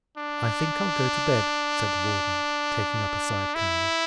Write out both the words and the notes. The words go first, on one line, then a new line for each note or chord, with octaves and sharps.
"I think I'll go to bed," said the warden, taking up a side candle.
D4
E4